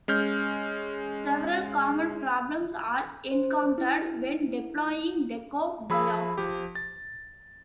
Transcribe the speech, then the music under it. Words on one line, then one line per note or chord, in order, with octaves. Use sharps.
Several common problems are encountered when deploying deco buoys.
G#3 C#4 F6 G6
C5
E4
F3 G#4 B5 E6
F3 G4
A6